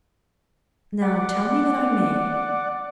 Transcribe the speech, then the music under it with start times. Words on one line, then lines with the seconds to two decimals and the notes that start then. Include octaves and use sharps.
Now tell me that I may.
1.02 D5 F#5